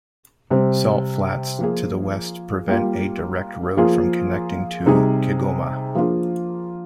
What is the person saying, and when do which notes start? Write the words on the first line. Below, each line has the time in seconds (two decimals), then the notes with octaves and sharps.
Salt flats to the west prevent a direct road from connecting to Kigoma.
0.51 C3 G3 C4
1.59 F3 A#3 F4 G#4
2.68 G3 A#3 F4
3.77 F3 A#3 F4 G#4
4.86 C3 G3 C4 D#4 G#4
5.95 F3 A#3 D4 F4 G#4